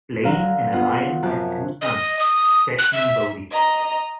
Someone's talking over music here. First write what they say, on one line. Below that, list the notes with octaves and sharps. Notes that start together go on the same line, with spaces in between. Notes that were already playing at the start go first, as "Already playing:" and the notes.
Blaine and Aliane have two sons, Jackson and Bodhi.
D3 F#3 F5 A#5
B3 F4 F#5
F#2 C3 F3 A5 F#6
D#5
D#6
F#6
E5
D#5 A#5